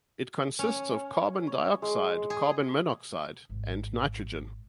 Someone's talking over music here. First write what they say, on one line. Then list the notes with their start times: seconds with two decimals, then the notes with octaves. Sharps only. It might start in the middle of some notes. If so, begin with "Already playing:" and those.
It consists of carbon dioxide, carbon monoxide and nitrogen.
0.59 C#4
1.47 C#5
1.82 G#3
2.30 G#4
3.50 G#1 A#2